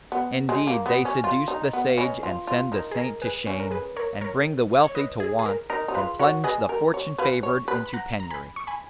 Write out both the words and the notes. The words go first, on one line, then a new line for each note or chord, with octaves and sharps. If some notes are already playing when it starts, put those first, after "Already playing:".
Indeed, they seduce the sage and send the saint to shame and bring the wealthy to want and plunge the fortune favoured into penury.
B3
G#3
A#3
B3
C#4
F4
D#4
B3
F5
C#4 B4 D#5
F4
F4
D#4 A#4
G#4
A#4
G#4 B4
C#4
A#4
G#4 B4
A#4 C#5
A#4 C#5
C#5
B4 D#5
G#4
G#4
A#4
D#4 A#4
D#4
F4 G#4 B4
F#4 A#4 C#5
G#4 B4 D#5
A#4
C#5
B4 F5 G#5
C#5
B4
B5
F#5 A#5
A#5
G#5 B5
C#6
G#5 B5